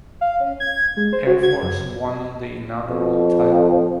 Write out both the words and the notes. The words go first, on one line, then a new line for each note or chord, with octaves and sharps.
Air Force won the inaugural title.
F5
C#4
G#6
G#3
C5
F#4
G#6
F#2
F2